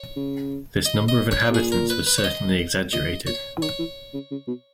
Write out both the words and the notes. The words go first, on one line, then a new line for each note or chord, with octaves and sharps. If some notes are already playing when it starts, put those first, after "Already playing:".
This number of inhabitants was certainly exaggerated.
Already playing: C#5
C#3
D#5
D#5
C#5
B2
A#2 G#4
A#4
B4
B4
C#5
D#5
A#2 D#5
F#2
A#2 C#5
E3
D#3 C#5
E3
C#3
C#3
B2